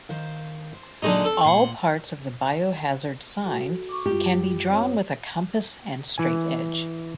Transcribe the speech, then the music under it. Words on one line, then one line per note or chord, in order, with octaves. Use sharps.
All parts of the biohazard sign can be drawn with a compass and straightedge.
D#3 C5 F5
C5
A#2 D3 F#3 G#3 D#4
C4 A4
A#2 F#5 C6
F#4 A4
C#6 D6
F#2 G3 F4 G4
C4 C#5
E3 G#5